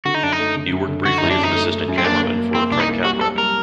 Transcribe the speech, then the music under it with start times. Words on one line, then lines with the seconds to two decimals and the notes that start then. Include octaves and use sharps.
He worked briefly as an assistant cameraman for Frank Capra.
0.05 D3 F#4
0.15 D#4
0.23 F#2 D4
0.32 D#4
0.39 A3
0.56 D3
0.72 F#2
0.88 D3
1.05 D3 F#4
1.18 F#2 D#4
1.30 D4
1.39 F#2 D#4
1.55 A3
1.72 A3
1.88 F#2
1.98 C4
2.05 A#3 D4
2.22 A#3
2.38 A#3
2.55 A#3 C4
2.71 C2 D4
2.80 D#4
2.88 A#3
3.04 G3 F#4
3.21 A#3 A4
3.38 G3 A#4